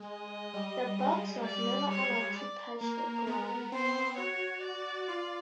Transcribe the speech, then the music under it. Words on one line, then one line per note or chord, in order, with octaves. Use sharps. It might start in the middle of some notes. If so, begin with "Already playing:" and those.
The box was never allowed to touch the ground.
Already playing: G#3
D#5
G3
G#3
G3 D5
G#3 C#5
D5
A#3 A#4
B3
C4 C5
F#4 C#5
D5
F4